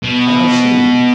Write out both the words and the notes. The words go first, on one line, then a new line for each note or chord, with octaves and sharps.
And I see.
B2